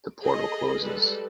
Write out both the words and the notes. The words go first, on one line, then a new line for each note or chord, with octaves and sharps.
The portal closes.
G#4 A4 D#5
G3 G#3 A4 B4